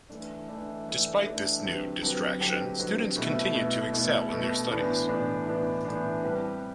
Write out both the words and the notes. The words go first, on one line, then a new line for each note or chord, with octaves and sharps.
Despite this new "distraction," students continued to excel in their studies.
E3 A3 D4
E3 A3 D4
E3 A3 D4
E3 A3 D4
D3 F#3 C4 G4 B4
D3 F#3 C4 G4 B4
D3 F#3 C4 G4 B4
D3 F#3 C4 G4 B4
B2 A3 E4
B2 A3 E4
B2 A3 E4
B2 A3 E4
A2 E3 B3 D4
A2 E3 B3 D4
A2 E3 B3 D4
A2 E3 B3 D4
G3 C4 G4 B4